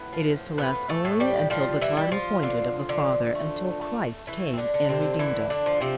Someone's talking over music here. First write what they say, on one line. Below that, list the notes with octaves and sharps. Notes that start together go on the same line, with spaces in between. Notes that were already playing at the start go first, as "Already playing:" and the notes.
It is to last only until "the time appointed of the father," until Christ came and redeemed us.
Already playing: A2 B3 B4
F3
A2 B3 B4
A3 A4
A2
G3 G4
F3 G3 F4
E3 E4
G3
F3 F4
D3
D3
A3
A3
E3 A3 E4
C4
D3 D4
D3
C3 C4
D3 E3 E4
D3 D4
F3
C3 C4